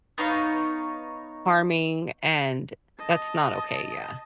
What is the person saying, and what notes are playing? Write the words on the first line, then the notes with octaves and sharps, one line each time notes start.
harming, and that's not OK, yeah.
B3 D#4 C#5 F5
D#5 A5